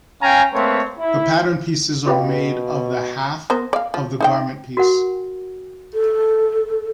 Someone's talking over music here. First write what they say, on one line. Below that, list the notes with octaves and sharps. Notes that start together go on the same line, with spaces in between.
The pattern pieces are made of the half of the garment piece.
C#4 F5 G5 G#5 A#5
A3 A#3 C4 B4 C#5
E4
B2 F4 G4 B4
B3 A#4 C5
D5 F5
F3
D#4 C5 G5
F#4 A#4 F#5
A4